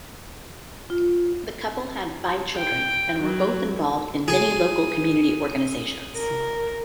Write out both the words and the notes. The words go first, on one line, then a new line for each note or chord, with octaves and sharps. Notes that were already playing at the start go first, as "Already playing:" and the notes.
The couple had five children and were both involved in many local community organisations.
F4
G5
F#3
G#4
A#4